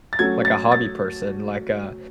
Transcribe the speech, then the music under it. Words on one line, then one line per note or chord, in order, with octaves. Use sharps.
like, a hobby person, like, uh,
A6
F#3 A3 C#4 F#4 G#6
A6
A6